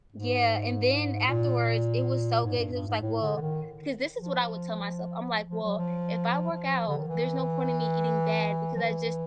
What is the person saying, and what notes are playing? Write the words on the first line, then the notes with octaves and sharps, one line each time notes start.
Yeah, and then afterwards, it was so good, 'cause it was like, "Well," 'cause this is what I would tell myself. I'm like, "Well, if I work out, there's no point in me eating bad, because I just,
G#2
A#2
G#2
G2
G2
G#2
A2
D3
D3
D#3
F3
F3
F#3
F3
F3
D3
D#3
E3
F3
E3